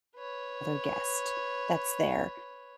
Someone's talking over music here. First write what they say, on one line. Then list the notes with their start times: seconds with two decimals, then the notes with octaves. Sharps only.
other guest that's there
0.16 B4 C#5